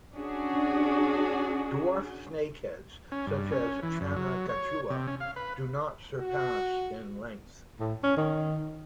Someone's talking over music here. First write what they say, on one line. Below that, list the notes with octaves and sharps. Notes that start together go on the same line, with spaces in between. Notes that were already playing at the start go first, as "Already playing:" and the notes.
Dwarf snakeheads, such as "Channa gachua", do not surpass in length.
C#4 D4 F#4 G#4
C#4
G2
C#4
E3
F#2
F#3
C#5
C3
C#4
F5
B4
F#4
A2
C#4
D#3